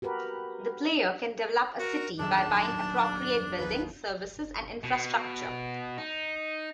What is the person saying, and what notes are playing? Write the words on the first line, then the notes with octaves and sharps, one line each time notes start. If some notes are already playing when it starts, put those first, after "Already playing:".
The player can develop a city by buying appropriate buildings, services and infrastructure.
F#4 G4 A#4 B4
F#4 A#4
D#1 F#3 D4 E5 A5
D#2 B3 B4
B2
D#4